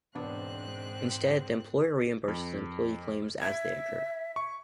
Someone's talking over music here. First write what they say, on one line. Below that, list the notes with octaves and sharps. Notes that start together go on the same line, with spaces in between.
Instead, the employer reimburses employee claims as they occur.
E1 G#2 B3 C4 D4 F#6
F2
E5 G#6
C#6